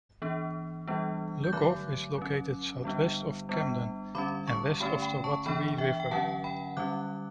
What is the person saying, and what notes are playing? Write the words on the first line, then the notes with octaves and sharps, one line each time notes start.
Lugoff is located southwest of Camden, and west of the Wateree River.
E3 B3 D4
E3 G3 B3 D4
G6
D3 F#3 A3 D6 F#6
F#3 C#4
D3 G3 B3 D4
G3 B3 D4
D3 G3 C#4 B5 D6
A5 C#6
D3 A3 C#4 G5 B5
G5 B5
A5 C#6
E3 B3 D4 G5 B5
E5 G5
G5
D3 F#3 C#4 F#5 A5
G5 B5
D3 G3 C#4 D6 F#6